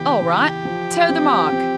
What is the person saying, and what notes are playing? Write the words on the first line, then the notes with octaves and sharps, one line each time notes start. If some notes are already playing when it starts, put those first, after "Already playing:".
"All right, toe the mark!"
Already playing: C#3 E3 B3 G4
E3
F3
C4
C4